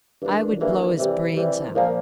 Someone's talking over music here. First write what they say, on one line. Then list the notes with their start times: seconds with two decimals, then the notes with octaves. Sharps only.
'I would blow his brains out.'
0.22 G2 E3 A#3 D4
0.60 G2 E3 A#3 D4
0.99 C3 E3 G3
1.37 C3 E3 G3
1.75 A#2 F3 A#3